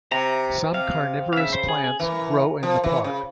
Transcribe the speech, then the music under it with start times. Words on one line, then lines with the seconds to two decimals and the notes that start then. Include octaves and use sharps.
Some carnivorous plants grow in the park.
0.11 C3 A#5
0.74 C3 F5
1.33 F5
1.36 C#3 E5
1.53 C5
1.69 G#4
1.84 G#4
2.00 E3 A#4
2.63 F3
2.84 E3
3.04 C#3